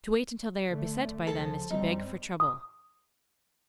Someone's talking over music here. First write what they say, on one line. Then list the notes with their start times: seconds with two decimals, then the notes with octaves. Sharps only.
To wait until they are beset by them is to beg for trouble.
0.68 D3 A3
1.27 C#2 F3 A4 A5
1.71 F#2 G3 C4 D#4
2.40 D#6